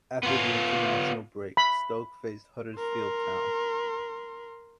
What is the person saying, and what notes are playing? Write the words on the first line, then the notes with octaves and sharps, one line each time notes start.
After the international break Stoke faced Huddersfield Town.
B3 F4
B5
A#4 C6